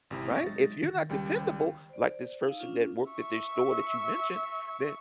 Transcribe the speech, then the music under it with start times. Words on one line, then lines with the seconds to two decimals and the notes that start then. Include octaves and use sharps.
Right? If you're not dependable, like this person that worked at this store that you mentioned, then
0.10 G#1 C3 E4
0.31 C4 E5 C#6 A#6
0.47 F#3 G#3 D#4 A6
0.83 D#3
1.09 C#2 G3 G5
1.89 C5 D5
2.41 D#4 F5 E6
2.59 C#4 D4 F4
3.10 E5 C#6